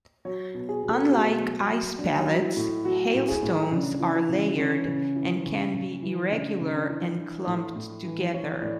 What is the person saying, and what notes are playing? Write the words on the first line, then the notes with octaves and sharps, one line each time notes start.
Unlike ice pellets, hailstones are layered and can be irregular and clumped together.
F#3 C#5
B2
G#4
B2
A4
B2 G#4
F#3
F#3
F#3 D4
F#3
E4
A2
F#3 F#4
A2
G#4
A2
C#3 D4
E3
D4
E4
C#3
E3 C#4
C#3
E3
C#3
C#3
E3
C#3 D4
C#3
D4
E3
E3
A2
A2
E3
E3 C#5
A2 D5